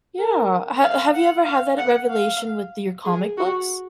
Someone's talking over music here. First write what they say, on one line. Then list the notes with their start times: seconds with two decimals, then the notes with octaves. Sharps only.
Yeah, h have you ever had that revelation with your comic books?
0.18 A#4
0.82 F5
1.14 F#5
1.45 F5
1.78 F#5
2.10 F5
3.05 G#4
3.37 F#4